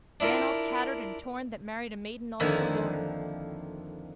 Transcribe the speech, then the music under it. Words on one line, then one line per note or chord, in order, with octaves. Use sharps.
Man all tattered and torn that married a maiden all forlorn.
D4 E4 F4 A#4
F2 D3 D#3 F3 A#3 E4